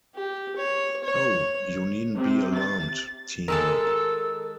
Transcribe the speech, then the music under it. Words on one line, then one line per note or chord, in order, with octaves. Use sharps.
Oh, you needn’t be alarmed, Tina.
G4
C#5
C#5
C3
A6
D#3 G#3 A4 A#4 E6